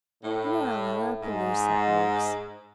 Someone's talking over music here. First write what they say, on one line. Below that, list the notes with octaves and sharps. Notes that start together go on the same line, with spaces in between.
"You are a lalapazooza, Oakes."
A2
G#2